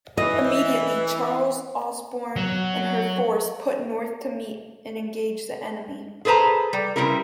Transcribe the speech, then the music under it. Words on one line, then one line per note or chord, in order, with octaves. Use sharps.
Immediately, "Charles Ausburne" and her force put north to meet and engage the enemy.
E3 D#5
F#3
G#4 A4 B4 C5 A#5
G3
C#3 F3 G3 C4 E4 A#4